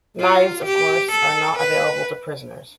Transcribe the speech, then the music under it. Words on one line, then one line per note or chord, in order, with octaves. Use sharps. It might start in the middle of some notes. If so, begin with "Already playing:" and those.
Knives, of course, are not available to prisoners.
F4
G4
A4
B4